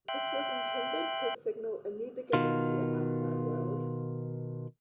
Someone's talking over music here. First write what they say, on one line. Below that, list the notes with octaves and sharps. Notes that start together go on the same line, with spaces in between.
This was intended to signal a new beginning to the outside world.
E5 G5 C6 F#6
B2 D#3 F4